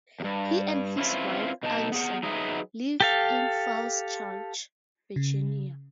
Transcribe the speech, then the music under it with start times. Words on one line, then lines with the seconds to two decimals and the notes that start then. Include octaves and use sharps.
He and his wife, Alison, live in Falls Church, Virginia.
0.20 E2 G2
0.97 C4 C#4 E4 F4 B4
1.63 B2 D#4 C#5 A5
1.92 B3 G#4 F#5
2.23 F#3 D#4 G#4 B4 D#5 E5
3.00 G4 A4 F5
5.16 C#3